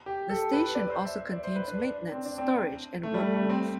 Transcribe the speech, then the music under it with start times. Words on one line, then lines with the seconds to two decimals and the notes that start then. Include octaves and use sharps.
The station also contains maintenance, storage, and work rooms.
0.06 G4
0.29 A4
0.53 B4
0.75 D5
0.91 C5
1.05 E5
1.21 E5
1.32 D5
1.43 C5
1.56 B4
1.67 D4
2.12 C4
2.25 D4
2.38 C4
3.03 A3
3.14 G3
3.19 A3
3.34 A3
3.49 C4